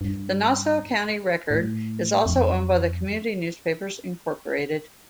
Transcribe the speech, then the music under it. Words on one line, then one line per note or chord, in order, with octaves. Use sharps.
The Nassau County Record is also owned by Community Newspapers Incorporated.
G2
A2
F2